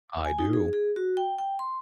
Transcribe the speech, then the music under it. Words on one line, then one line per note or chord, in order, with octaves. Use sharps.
I do.
G#5
D#4
G#4
G#4
F#4
G5
G5
C6